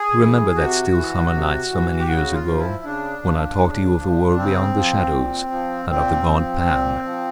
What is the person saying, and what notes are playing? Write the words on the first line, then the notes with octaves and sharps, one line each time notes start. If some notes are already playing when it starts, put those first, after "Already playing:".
You remember that still summer night so many years ago, when I talked to you of the world beyond the shadows, and of the god Pan.
Already playing: G#4
E3
C3 F#4
E3
C3
E3
G4
C#3 F#4
F4
F3
E4
C#3 D4
F3
C#3
F3
C#3 C4
F3
A#2
F3
A#2 C4
F3
A#2
F3